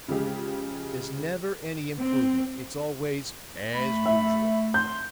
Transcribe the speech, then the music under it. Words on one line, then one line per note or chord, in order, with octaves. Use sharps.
There's never any improvement; it's always--as usual!
C#3 F3 G#3 G4
C4
A3 B5
E5
C6 G6